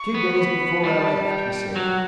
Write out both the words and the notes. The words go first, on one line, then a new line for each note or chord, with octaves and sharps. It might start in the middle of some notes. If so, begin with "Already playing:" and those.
"Two days before I left," he said.
Already playing: C#6
B3
B5
G3 A5
G5
F#3 F#5